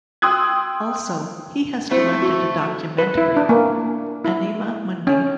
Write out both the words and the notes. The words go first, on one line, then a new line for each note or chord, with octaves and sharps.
Also, he has directed a documentary "Anima Mundi".
G5 C6 D#6 E6 F#6 G#6
A3 C4 E4 C5
F#4
B4
E4
D4
A#3
E4
C#4